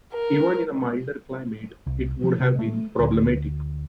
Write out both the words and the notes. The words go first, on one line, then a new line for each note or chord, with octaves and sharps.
Even in a milder climate, it would have been problematic.
A#4
C2
F3
C3
A3
D2